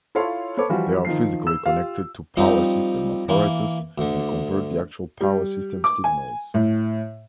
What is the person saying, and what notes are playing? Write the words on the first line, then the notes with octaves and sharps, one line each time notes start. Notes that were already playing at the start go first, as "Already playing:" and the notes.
They are physically connected to power-system apparatus and convert the actual power-system signals.
E4 F4 A4 C#5 F5 C6
B3 A4 C#5 D6
E3 F3 G3 F4 F#4
D#3 F3 C7
E6
F4 G4 F5
F3 G3 C4 D#4
E3 A#3
D2 D3
G3
D6
G#5
A2